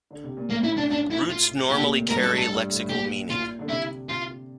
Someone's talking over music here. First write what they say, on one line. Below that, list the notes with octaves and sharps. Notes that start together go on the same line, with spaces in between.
Roots normally carry lexical meaning.
D3
C3
A#2
A2 A#3
E4
D4
D4
E4
F4
A#2 G4
C3
A#2
A2
G2 A#4
A4
A2
A4
G2
A2
A#2 G4
F4
D3
C3 E4
F4